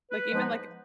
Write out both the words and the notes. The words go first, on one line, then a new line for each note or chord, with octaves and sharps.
Like, even, like,
B4
G#2 F3 G#3 B3 D#4